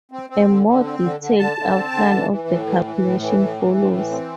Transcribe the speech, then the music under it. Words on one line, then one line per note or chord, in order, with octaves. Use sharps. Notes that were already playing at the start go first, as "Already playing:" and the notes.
A more detailed outline of the calculation follows.
C4
C4
D3
D3
C4
D3
D3
D3 A5
D3
C4
D3
E3
E3
A2
E3
E3
A2
E3
A2
E3
A2
E3
C4